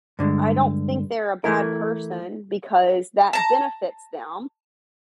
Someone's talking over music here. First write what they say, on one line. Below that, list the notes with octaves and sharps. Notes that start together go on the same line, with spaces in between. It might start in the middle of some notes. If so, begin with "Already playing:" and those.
I don't think they're a bad person because that benefits them.
G2 D3 G#3
E3 A3 E4 A#4
A5 A#5